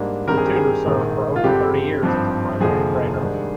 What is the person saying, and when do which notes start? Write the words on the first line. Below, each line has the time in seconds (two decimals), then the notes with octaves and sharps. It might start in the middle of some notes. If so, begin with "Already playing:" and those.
The Tutor served for over thirty years as a primary trainer.
Already playing: G#2 G3 A#3 D4
0.27 G2 D#3 G3 C4 A#4
0.37 G#4
0.46 G4
0.56 G#4
0.85 A#1 G#2 D#3 A#3
1.36 F4
1.44 G2 D3 G3 C4 G4
2.03 G#1 G2 F3 C4
2.60 F1 D#2 D3 F3 G#4
3.19 G#1 G#2 D#3 G3 D4